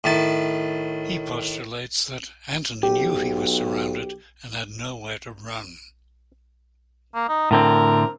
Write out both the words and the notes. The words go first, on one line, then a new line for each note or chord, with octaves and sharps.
He postulates that Antony knew he was surrounded and had nowhere to run.
A2 D#3 A5
B1 G4
A#3
D#4
A2 D3 C4 A#4